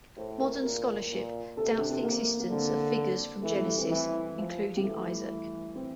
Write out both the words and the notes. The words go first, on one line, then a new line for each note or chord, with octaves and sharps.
Modern scholarship doubts the existence of figures from Genesis, including Isaac.
A2 C5
A#4
A#2 A#4
A#2
C3 A4
D4
C4
A#3
A#3
D3 C4
E3 A3
G3
A3
C4
E3
F3
G3
E3 A3
C4